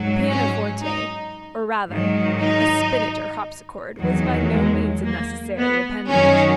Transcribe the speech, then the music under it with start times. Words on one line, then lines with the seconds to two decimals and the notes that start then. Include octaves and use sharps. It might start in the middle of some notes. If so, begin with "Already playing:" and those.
A pianoforte, or rather a spinnet or harpsichord, was by no means a necessary appendage.
Already playing: G#2 F#3
0.30 C#4
0.82 D#4
1.89 G#2 D#3 F#3
2.41 D#4
3.98 E2 D#3 F#3
4.52 G#3
5.04 A#3
5.57 B3
6.09 F#2 D#3 F#3 C#4